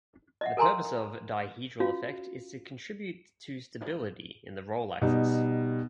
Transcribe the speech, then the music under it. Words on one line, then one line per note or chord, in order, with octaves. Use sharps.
The purpose of dihedral effect is to contribute to stability in the roll axis.
D#5 E5 F#5
A4 A#4 G#5 A#5 C6
C#4 F4 F#4 F5
B2 G3 D#4